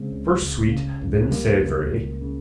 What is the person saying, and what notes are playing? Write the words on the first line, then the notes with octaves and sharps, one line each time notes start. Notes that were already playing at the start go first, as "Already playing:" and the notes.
First sweet then savoury.
Already playing: C#3 G#3 C4
C#2
C#2
C#3
C#2
C#2 G3 A#3
C#2
C#2
C#3